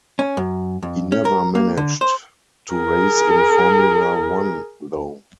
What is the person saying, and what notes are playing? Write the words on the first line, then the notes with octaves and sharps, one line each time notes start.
He never managed to race in Formula One though.
C#4
F#2
F2
C#4
A#4
A#3
D3
C5
G#4 A#4